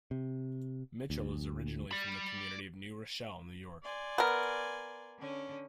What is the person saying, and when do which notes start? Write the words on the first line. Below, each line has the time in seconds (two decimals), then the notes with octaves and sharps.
Mitchell is originally from the community of New Rochelle, New York.
0.11 C3
1.10 D2
1.91 D5 B5
3.83 D5 G#5 C6
4.18 B3 A#4
5.19 D3 C#4